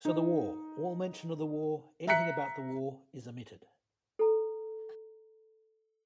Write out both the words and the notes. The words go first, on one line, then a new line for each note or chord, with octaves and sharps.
So the war, all mention of the war, anything about the war, is omitted.
D#4
E5 A#5 F#6 B6 C#7
A4 A#5